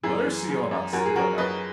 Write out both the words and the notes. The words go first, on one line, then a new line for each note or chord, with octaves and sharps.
"Mercy on us!" he let out.
F#2 E4 G#4
E3
F#2
F#2
F#2 F#4 A#4
G#4
F#2 F#4 A#4
F#2 B4 D#5